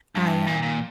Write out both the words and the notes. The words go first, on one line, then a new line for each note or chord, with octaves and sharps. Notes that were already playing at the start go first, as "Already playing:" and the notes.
I, um
G2
A#2
A#2